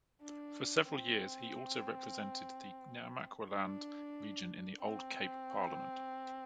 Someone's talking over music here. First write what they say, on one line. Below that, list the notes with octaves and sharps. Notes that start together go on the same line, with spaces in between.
For several years he also represented the Namaqualand region in the old Cape Parliament.
D4
C4
D4
C4